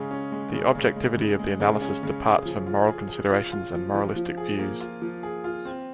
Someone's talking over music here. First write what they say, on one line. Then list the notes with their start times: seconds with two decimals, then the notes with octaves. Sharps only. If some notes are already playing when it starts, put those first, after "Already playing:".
The objectivity of the analysis departs from moral considerations and moralistic views.
Already playing: C#3 G#3 C#4
0.11 C#4
0.32 G#3
0.53 C#3
0.75 C#3
0.96 G#3
1.18 C#3
1.39 G#3
1.60 C#3
1.81 C#4
2.03 C#3
2.24 G#4
2.45 F3
2.66 F4
2.88 G#4
3.09 G#4
3.31 F4
3.52 F4
3.74 F3
3.94 F3
4.16 F3
4.37 G#4
4.59 A#3
4.80 F4
5.02 F3
5.23 G#4
5.44 F4
5.65 C4